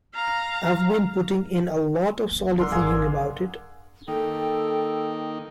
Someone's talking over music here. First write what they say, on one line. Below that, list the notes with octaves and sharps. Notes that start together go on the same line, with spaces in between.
I've been putting in a lot of solid thinking about it.
F5 A#5
D3 A#3
D3 F#3 G#3 A#4 C6
G#1 A#3 G#4
D#3 A#3 D#4 A4 G5